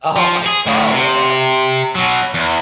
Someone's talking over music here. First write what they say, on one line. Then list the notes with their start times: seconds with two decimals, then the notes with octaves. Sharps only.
Oh my God, what happened?
0.16 F3
0.46 G#4
0.66 D2 A2
0.92 C3
1.95 B2 F#3
2.34 E2